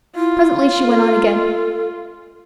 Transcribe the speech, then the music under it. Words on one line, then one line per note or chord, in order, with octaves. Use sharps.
Presently she went on again.
E4 F4
A4